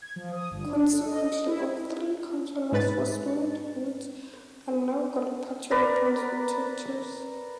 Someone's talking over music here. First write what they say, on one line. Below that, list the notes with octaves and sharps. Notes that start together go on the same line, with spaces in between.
Consequently, all three councillors for Smith's Wood are now Green Party representatives.
G#6
F3
D#6
G1
D4
A4
D#5
E4
G#2 B4 A6
A#4 B4 D5